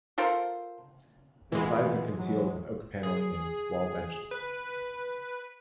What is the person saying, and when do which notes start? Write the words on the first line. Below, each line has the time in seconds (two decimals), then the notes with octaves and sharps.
Its sides are concealed with oak panelling and wall benches.
0.18 F4 A4 A#4 C5
1.52 F2 E3 G#3 B3
2.14 F#3
3.03 G#4
4.31 B4